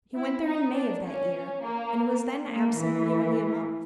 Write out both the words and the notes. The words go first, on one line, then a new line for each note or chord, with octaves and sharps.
He went there in May of that year, and was then absent nearly a month.
E4
D#4
D4
C#4
A#3
A#3
E3